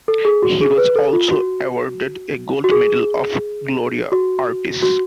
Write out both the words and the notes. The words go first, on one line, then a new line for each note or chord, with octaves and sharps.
He was also awarded a Gold Medal of Gloria Artis.
A4
G#4
F#4
G#4
B4
A4
F4
F#4
F#4
G#4
F#4
F#4